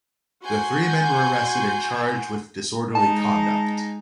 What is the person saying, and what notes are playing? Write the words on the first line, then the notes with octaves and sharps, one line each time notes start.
The three men were arrested and charged with disorderly conduct.
F#4 F#5 G#5 C6 G6
G#3 D#4 A5